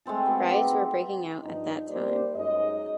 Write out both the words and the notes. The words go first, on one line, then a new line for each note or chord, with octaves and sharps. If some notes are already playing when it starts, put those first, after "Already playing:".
Riots were breaking out at that time.
G#3 A3 C4 A4
B3 C4 F#4
D#4 F#4 G4
G2 F3 D#4
G3 A#3 G4 C5 D5
F#2 G#3 D#4 D#5